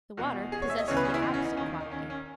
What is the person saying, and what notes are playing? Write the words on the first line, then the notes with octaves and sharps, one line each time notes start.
The water possesses the opposite quality.
E2 B2 F#4
G#4
C#5
E5
D#5
E2 C#3 E3 C#5
B4
C#4
E4
D#4
C#4
D#4
D#2 D#3 C#4
D#4
C#4
C#4